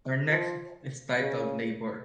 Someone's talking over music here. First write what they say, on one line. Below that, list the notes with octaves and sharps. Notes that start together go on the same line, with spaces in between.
Our next book is titled "Labor".
F3
C#3